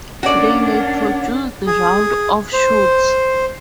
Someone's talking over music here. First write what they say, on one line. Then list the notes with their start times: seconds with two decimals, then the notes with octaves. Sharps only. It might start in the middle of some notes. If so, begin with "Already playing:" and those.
They may produce round offshoots.
0.23 A#3 C#4 D4 F#4 D5 F#5
1.66 G#4
2.53 C5